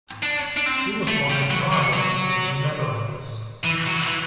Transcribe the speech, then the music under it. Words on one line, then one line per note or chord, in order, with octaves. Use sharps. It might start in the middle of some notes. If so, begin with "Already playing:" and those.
He was born at Naarden in the Netherlands.
D4
D4
C4
A3
G3
F#3
D3
F#3
E3
F#3
E3